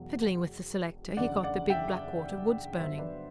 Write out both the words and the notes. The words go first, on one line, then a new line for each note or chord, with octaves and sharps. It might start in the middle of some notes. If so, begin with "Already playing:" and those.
Fiddling with the selector, he got the Big Blackwater woods-burning.
Already playing: E1 E2 B2 F#3
F#1 E2 D3 D5 F#5
D5 F#5
E5 G5
G1 G2 F#3 C5 E5
B4 D5